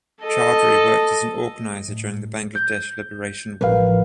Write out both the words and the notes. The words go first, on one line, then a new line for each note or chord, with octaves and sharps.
Chowdhury worked as an organiser during the Bangladesh Liberation war.
A4 D#5
A2
G6
A1 F3 A#4 B4 F5